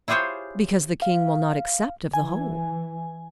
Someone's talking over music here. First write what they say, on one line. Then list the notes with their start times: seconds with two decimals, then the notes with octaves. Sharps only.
"Because the king will not accept of the whole."
0.08 E4 F4 G4 G#4 C5 C#5
1.02 F5
2.14 E3 G#5